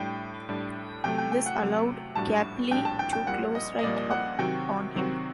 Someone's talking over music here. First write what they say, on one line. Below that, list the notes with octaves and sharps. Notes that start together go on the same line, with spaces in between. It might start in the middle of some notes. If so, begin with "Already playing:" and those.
This allowed Capelli to close right up on him.
Already playing: A2 G3 D4 G5
A2 G3 D4
C3 F#3 A3 G5
G5
G5
F#5
C3 F#3 A3
A#1 A2 G3 D4 F#4 A5
A#1 A2 G3 D4 F#4 G5
A5
G5
G5
A#1 A#2 G3 A#3 F#5
D#5
D#5
A#1 A#2 G3 A#3 D5
D#5
F#5
C3 D#3 F#3 C4 F#4 G5
C3 D#3 F#3 C4 F#4